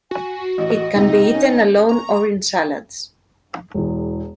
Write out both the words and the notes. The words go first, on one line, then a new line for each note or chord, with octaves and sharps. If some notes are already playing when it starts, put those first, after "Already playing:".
It can be eaten alone or in salads.
F#4 G#5
A1 D#5
C#2 C3 D#4
C#4
A#5 C#6
E1 E2